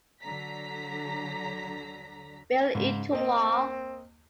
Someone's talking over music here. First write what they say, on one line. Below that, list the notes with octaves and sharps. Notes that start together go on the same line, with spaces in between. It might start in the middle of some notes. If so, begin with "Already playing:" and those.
Bill into law.
D3 F#3 A#5 B6
G#2 C#3
A#3 C4 D#5